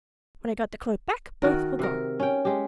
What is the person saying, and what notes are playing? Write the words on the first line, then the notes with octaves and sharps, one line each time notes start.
When I got the cloak back both were gone.
D#3 F#4 A#4
C3 A#4
C#4 G5
G#3 G4